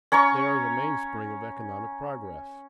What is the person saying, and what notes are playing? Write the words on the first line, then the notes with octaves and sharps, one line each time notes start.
They are the mainspring of economic progress.
C#4 C#5 A#5 C#6